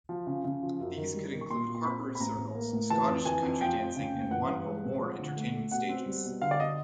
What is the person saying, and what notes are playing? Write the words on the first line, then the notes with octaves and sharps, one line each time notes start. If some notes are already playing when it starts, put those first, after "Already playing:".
These could include harpers' circles, Scottish country dancing, and one or more entertainment stages.
F3
C#3
C#3
F3
F#2
D#3
G3
D#3
C#6
A#1 C6
A#2
C6
C4 B5
C4
B5
A1 A#5
A1
A#3
A2
E3 A5
F2
E3 G#5
F2
F3 G5
F2
C#3
F#1
E3 F#5
G2
G#3
C4
F3
D3
A3
A3
B2 F#5
C4
G3
B2
D3 F5
D5
D#5